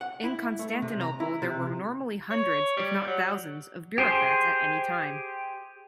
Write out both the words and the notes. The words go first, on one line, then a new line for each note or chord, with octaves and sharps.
In Constantinople there were normally hundreds, if not thousands, of bureaucrats at any time.
F#5
E4
A3
C3
A#5
E4
C3
C#5
G3
F#3
G4 G#4 C5